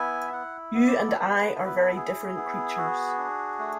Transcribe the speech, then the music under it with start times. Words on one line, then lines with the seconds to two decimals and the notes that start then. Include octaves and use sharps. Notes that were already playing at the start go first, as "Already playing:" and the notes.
You and I are very different creatures.
Already playing: B3 E4 G#5
0.27 E5
0.33 E4 F#5
0.74 B3
0.87 D5
1.07 A4
1.14 B3 B4
1.55 E4 A4
1.65 B4
1.75 A4
1.96 E4 G#4
2.36 B3
2.77 F#4
3.18 D4
3.59 A3